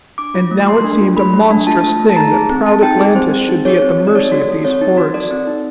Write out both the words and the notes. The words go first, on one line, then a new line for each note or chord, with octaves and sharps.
And now it seemed a monstrous thing that proud Atlantis should be at the mercy of these hordes.
D4 D6
F4
A3
A3 C6
D4
F4
A3 B5
A3
D4
F4 A5
A3
A3
A5
D#4 A#5
G#4
C4
C4 A5
D#4 G5
G#4
C4 C5
C4
D#4
G#4 C#5
C4
C4
D5
D#4 C#5
F#4
A4
C4 C#5
D#4
F#4
A4 D5
C4
D#4